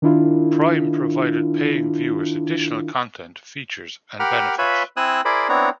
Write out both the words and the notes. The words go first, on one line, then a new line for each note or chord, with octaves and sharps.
Prime provided paying viewers additional content, features, and benefits.
D#3 D4 E4 F4
G4 A#4 F#5 B5 F6
F4 B4 C#5 E5 G#5 B5
C4 E4 G#5 D#6 E6 F#6
E4 G#4 A#4 C5 D5 B5
B3 C4 D4 E4 C#5 A#5